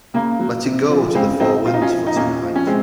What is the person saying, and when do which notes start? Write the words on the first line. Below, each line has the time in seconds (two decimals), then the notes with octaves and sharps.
Let it go to the four winds for tonight.
0.14 C#3 A#3
0.40 F#3
0.64 C3
0.90 F3
1.15 C#3 G#3 C4
1.40 F#3 C4 D#4
1.66 C3 F4
1.74 D#4
1.82 C#4 F4
1.92 F3
2.07 D#4
2.16 A#2 A#3 C#4
2.42 F3
2.56 C#4
2.67 C3 G#3 C4